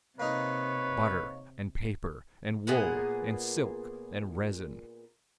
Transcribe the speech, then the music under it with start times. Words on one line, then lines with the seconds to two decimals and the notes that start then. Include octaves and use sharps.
Butter and paper and wool and silk and resin.
0.20 C3 A#3 D#4 A#4 B4 C#5
2.67 A#2 B3 G#4 F#5